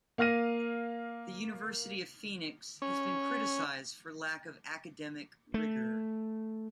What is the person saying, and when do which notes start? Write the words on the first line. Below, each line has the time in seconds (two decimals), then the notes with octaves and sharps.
The University of Phoenix has been criticized for lack of academic rigor.
0.18 A#3 F5 F6 A#6 D#7
2.82 C#4
5.54 A3